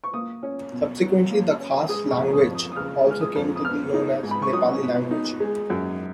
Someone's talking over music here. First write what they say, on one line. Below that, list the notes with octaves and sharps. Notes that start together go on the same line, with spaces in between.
Subsequently, the Khas language also came to be known as "Nepali language".
C#6
A#3 D#6
C#4
B2
F#3
A#3
C#4
G#3 D#6
C#6
F2
D#6
F2
D#6
D#6
C#3 F6
G#3 F6
D#6
F2
D#6
B3 F6
D#4
G#2
B5
C#6
F#3 D#6
B3
D#4
G#3
F#2